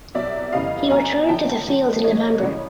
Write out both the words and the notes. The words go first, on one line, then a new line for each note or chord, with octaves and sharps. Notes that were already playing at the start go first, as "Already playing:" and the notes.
He returned to the field in November.
C2 B2 F#3 D5 E5
F1 E2 C#3 E3 G3 D#5 F5
B1 B2 F#3 G#5 A#5
G#1 F#2 D3 F3 G5 A5
F#2 C#3 F3 G#3
E2 C3 F3 C#5 D#5
G#1 F#2 C#3 E3 G3